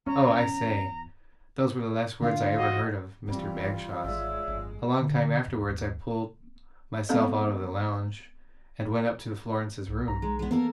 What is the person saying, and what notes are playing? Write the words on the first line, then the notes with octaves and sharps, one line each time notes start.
"Oh, I say...." Those were the last words I ever heard of Mr Bagshawe's. A long time afterwards I pulled myself out of the lounge and went up to Florence's room.
E2 C#4 A#5
D3 A3 D4 F4
E2 F#4 D#5
D#1 E3 G3 C4 F4
G#1 G#3 D4 C#5 E5
G1 F2
D3
E2
D#2
G#3 B3 C4 A4 D#5
C2
B1 A#5
G#3
G#3 B3
A#3 B3 A4 A#4